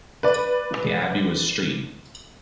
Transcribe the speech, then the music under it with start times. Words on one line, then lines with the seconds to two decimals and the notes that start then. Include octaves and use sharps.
The abbey was St.
0.23 B4 D5